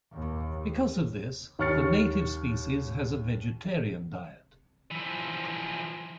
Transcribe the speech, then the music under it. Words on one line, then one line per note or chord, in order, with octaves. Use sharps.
Because of this, the native species has a vegetarian diet.
D#2
D#2 C#5 C#6 F6 A6 C#7
E3 F3